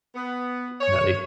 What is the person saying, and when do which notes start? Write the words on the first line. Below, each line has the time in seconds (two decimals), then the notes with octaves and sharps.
e now they
0.15 B3
0.81 C#5